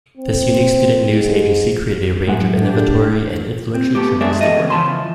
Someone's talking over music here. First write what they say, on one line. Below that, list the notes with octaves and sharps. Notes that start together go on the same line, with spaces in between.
This unique student news agency created a range of innovatory and influential journalistic work.
C4
G#2
A2 F#3 G#3 F#5
D4 G4
C4
A3 B3 G4
G#3 D4 F#4 G#4 D5 E5
E2 A2 A3 D#5
E2 C#3 E3
C#3 E3 F3 A5 B5 C6